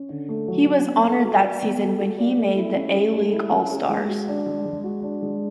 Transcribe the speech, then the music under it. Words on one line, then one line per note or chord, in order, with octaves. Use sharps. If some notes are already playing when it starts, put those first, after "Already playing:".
He was honored that season when he made the A League all stars.
Already playing: C#4
D3
A3
F#3
C#4
B3
A4
F#4
D5
B3
A4
F#4
D5
A3
E4
C#4
G#4
A3
E4
C#4
G#4
G#3
F#4
D4
G#3
G#3
F#4
D4
G#3